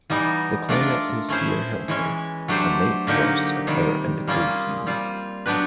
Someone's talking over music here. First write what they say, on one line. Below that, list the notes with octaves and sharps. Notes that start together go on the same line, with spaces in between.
The climate is here healthy, and night frosts occur in the cold season.
E3 G3 B3 D#4
A3 D4 F4 A#4 D5
A3 C#4 E4 G#4 C5
E3 G#3 C#4
F#3 A3 D4 G4 C5
D3 F#3 A#3 D#4 G4
C3 D#3 G3
G3 A#3 C#4 F4 G#4
G3 C4 F4
F#3 B3 D4 G4 B4